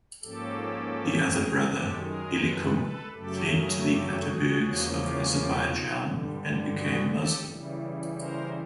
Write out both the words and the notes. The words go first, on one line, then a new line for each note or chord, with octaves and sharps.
The other brother, Elikum, fled to the Atabegs of Azerbaijan and became Muslim.
G#2 F3 A#3 C#4 G4 A4
G#4 A#4
F#2 D#3 G#3 G4 A4
G#4 A#4
A4 B4
A4 B4
F#2 C#3 F#3 A3 G4 A4
G#4 A#4
G4 A4
F#4 G#4
E2 C#3 F3 A#3 C#4
F4 G4
F4 G4
D#4 F4
G2 D3 G3
F#4 G#4
G4 A4
C#3 E3 G3
A#4 C5